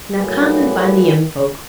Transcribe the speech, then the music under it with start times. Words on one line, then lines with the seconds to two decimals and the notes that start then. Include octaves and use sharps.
Now, come and find the young folk.
0.19 A2 F#3 G3 A#3 G#4 B4